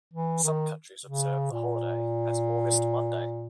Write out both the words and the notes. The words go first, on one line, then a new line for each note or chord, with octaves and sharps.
Some countries observe the holiday as "August Monday".
E3
D#3
C#3
A#2